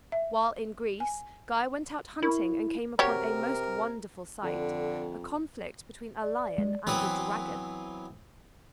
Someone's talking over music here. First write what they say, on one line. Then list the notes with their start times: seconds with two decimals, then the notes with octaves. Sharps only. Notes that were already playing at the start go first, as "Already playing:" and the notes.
While in Greece, Guy went out hunting and came upon a most wonderful sight, a conflict between a lion and a dragon.
0.12 E5
1.00 G#5
2.23 E4 A#4 C#6
2.99 C3 F#4 G4 A#4 C#5
4.43 F2 D3
6.22 D5
6.58 G#3
6.87 E3 F#3 B3 C4 B4